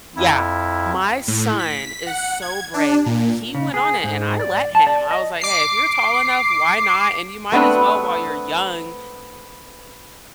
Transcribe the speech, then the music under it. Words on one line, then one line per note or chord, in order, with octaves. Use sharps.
Yeah, my son is so brave. He went on it, and I let him. I was like, "Hey, if you're tall enough, why not? And, you might as well, while you're young,
F2 E4
A2
B6
F#5
G#6
D4
A#2
C#3
G#4
G#2
D5
A5
D5
D#5
D6 C7
A3 B3 C4 D4 B4